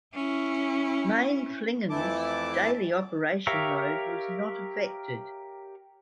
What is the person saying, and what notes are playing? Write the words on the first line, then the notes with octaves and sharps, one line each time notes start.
Mainflingen's daily operation mode was not affected.
C#4 E4
F2 E3 A3 E4 A5 D6
G4 A#4 C#5 E5 F5